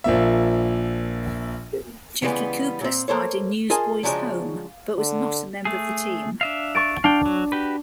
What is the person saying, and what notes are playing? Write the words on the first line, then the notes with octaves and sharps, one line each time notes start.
Jackie Cooper starred in "Newsboys' Home", but was not a member of the team.
A#1 F3 A#3 E5
C#3 E3 G3 G#3 B3
A#2 C4
A#3 A4 C5 C#5
F4 G#4 A#4 D#5 G#5 A5
C#3 F3 F#3 G#3 D4
D3
A3 G#4
D4 E5 F5
C#6 A6 D7
D4 F5 G5
F#3
F#4 G4 B4